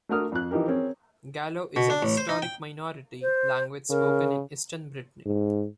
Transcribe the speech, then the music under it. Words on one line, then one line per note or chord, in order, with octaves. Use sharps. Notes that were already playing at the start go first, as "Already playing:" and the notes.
Gallo is a historic minority language spoken in eastern Brittany.
A3 D4 F#4 A#4 D#6 F6
F2 F#6
E3 F3 D#4 G4 A#4
C4 C#4 G#4 A#4 C5
B2
D4
A1
C5
D#4
G5
C5
C#3 A#4
G#2